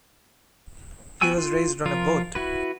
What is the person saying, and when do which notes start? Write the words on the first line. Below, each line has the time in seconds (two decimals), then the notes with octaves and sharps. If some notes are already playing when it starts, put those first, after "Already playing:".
He was raised on a boat.
1.21 B3 F#4 G5 G#5 E6
1.38 F4
1.86 F3 F4 A#4
2.35 E4 F#4 B4